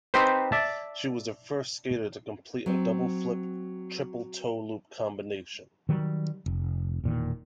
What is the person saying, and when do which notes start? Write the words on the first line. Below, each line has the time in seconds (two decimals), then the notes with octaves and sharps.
She was the first skater to complete a double flip, triple toe loop combination.
0.14 C4 D#4 G4 B4 C5
0.52 D5 E5 A5
2.66 F#3 C4
5.89 D#3 F#3 G3
6.46 F1
7.04 E1 A#2 D#3